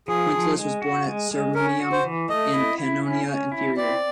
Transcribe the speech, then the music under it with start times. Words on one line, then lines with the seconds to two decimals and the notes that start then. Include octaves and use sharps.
Quintillus was born at Sirmium in Pannonia Inferior.
0.08 F3 G#4
0.32 F3
0.57 G#3
0.82 F#4
1.06 G#3
1.31 G#3
1.55 C#4 A#4
1.80 F#4
1.92 C5
2.04 E3
2.29 A3 D#5
2.53 E4
2.78 E4
3.03 C#4
3.27 C#4
3.52 E4
3.77 C4 D5